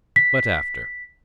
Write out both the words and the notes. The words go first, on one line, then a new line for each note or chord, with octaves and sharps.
But after.
B6